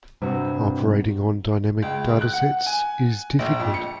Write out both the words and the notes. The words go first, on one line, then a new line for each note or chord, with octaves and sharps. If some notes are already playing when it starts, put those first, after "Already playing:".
Operating on dynamic data sets is difficult.
G2 C3 F#4
C#2
F#6
F#5
G#5
A#1
F2
C#7